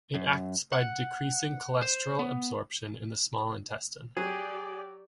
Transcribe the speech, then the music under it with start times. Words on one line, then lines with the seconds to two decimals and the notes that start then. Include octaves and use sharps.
It acts by decreasing cholesterol absorption in the small intestine.
0.15 F#2
0.73 F#5
1.82 C5
2.19 B3
4.17 F#3 G4 G#4 D5